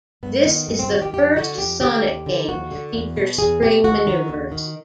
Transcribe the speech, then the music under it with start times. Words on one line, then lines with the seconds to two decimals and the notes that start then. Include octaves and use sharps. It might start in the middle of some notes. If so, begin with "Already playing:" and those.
This is the first "Sonic" game to feature spring maneuvers.
0.23 G2 B3
0.46 D#3
0.68 G2
0.79 C4
0.90 D#3 F#4
1.02 G4
1.13 F2 G4
1.36 D3 F#4
1.58 F2 G4
1.81 D3 G4
2.03 D#2
2.26 D3
2.49 D#2 F#4
2.71 D3
2.94 E2
3.16 B2
3.38 E2 G#4
3.62 B2 G4
3.84 D#2 F#4
4.07 D#3
4.29 D#2
4.52 D#3